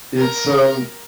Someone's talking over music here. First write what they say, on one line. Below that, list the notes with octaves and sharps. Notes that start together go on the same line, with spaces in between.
it's, um,
A#4